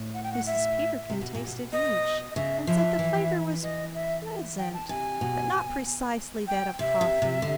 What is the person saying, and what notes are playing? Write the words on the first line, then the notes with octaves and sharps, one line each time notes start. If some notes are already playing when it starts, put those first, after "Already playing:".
Mrs. Peterkin tasted each, and said the flavor was pleasant, but not precisely that of coffee.
Already playing: A2
F#5
G5
F#5
E5
C3
B2
A#2
B2
D#5
D#5
C#3 E5
F3 E5
E3
E3 D#5
E5
G5
A5
C3 G#5
B2
G5
C3 E5
C3
C3
D3